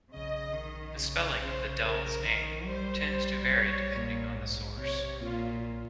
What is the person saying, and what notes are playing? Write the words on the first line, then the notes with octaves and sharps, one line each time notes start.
The spelling of the dell's name tends to vary depending on the source.
C#3 D#5
D#3
C#3
C#3 C5
A#4
D#3
G3 C5
C5
C#5
A#2
G#2
C3 C#5
A#2 F4